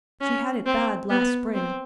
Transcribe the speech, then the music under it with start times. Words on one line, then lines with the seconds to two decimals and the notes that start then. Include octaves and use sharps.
She had it bad last spring.
0.21 C#4
0.66 C4
1.10 B3
1.54 C4